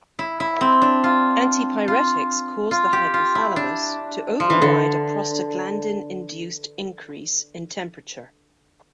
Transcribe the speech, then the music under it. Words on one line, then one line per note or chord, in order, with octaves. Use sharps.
Antipyretics cause the hypothalamus to override a prostaglandin-induced increase in temperature.
E4
E4
C4
D4
F4
F4
F4
G4
F4
E4
D4
F3
E3
D3